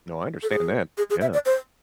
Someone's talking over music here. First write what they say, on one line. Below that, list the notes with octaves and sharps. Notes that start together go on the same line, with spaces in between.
No, I understand that. Yeah.
A4
G#4
G#4
G#4
E5
D5
C5